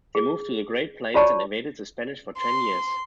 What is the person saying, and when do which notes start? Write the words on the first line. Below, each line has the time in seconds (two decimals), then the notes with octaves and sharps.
They moved to the Great Plains and evaded the Spanish for ten years.
0.15 G#4
1.14 F4 F#4 C#5 D5 A5 C#6
2.38 C6